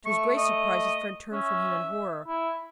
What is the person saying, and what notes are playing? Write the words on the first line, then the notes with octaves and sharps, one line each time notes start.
To his great surprise his friend turned from him in horror.
A3 C#6
D#5
C#4 E5
E4